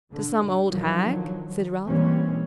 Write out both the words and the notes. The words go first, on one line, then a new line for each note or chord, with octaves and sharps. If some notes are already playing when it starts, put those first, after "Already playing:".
'To some old hag?' said Ralph.
D3
D3 D#3 F3 F#3
E3 G3 G#3 A#3 C4 C#4